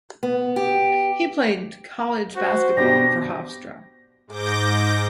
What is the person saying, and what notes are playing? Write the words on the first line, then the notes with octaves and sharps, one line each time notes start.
He played college basketball for Hofstra.
B3
G4
F#4 C5
G2 B2 G4 A#6
G#2 D6 G6 A#6